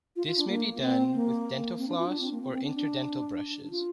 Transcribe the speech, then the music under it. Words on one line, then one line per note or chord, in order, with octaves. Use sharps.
This may be done with dental floss or interdental brushes.
F4
F4
D4
A#3
A#3
C4
A#3
C4
D4
F4
D4
C4
A#3
C4
C4
D4
D4
D4
F4